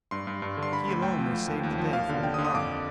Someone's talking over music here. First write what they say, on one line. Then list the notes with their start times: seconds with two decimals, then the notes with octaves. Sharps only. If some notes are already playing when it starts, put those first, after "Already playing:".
He alone may save the day for Okar.
0.11 G2 C6
0.27 G2
0.42 G2
0.57 D3
0.63 C6
0.72 D3 B5
0.88 D2
1.02 D2 G5
1.18 F3
1.33 F3
1.48 D#2
1.63 D#2
1.78 F3
1.93 D#2 F5
2.09 D3
2.23 D3 G5
2.34 D#6
2.38 D3
2.44 D#6
2.54 F2 D6